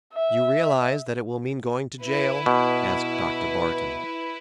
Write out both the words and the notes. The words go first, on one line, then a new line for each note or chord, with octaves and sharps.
"You realize that it will mean going to jail?" asked Dr. Barton.
E5
E4 B4
B2